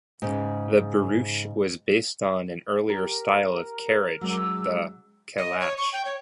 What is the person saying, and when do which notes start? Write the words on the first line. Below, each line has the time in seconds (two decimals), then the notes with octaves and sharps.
The barouche was based on an earlier style of carriage, the calash.
0.22 G#2 C#3
2.89 G4 A#4
4.21 F#3 G#3 C#4 D6 E6
5.38 D#5
5.61 C#5
5.77 C#6
5.93 G5
6.05 C#5